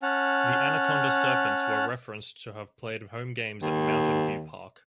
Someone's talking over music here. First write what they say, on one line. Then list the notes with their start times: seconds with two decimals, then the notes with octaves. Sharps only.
The Anaconda Serpents were referenced to have played home games at Mountain View Park.
0.02 C#4 F#5 A5 F6
3.62 D#2